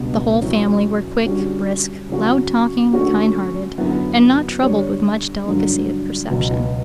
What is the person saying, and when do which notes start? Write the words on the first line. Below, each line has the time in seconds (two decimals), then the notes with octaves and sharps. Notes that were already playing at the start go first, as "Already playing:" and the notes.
The whole family were quick, brisk, loud-talking, kind-hearted, and not troubled with much delicacy of perception.
Already playing: C#2 B2 G3 B3 D4
0.42 F#3 C#4 E4
1.25 D3 G3 C#4 F#4
2.09 C#3 F#3 C#4 F#4
2.93 D3 A3 C#4 F#4
3.78 F#2 D3 F#3 B3 E4
4.62 D3 G3 D4 G4 C#5
5.46 G2 D3 F#3
6.30 C#2 B2 F#3 B3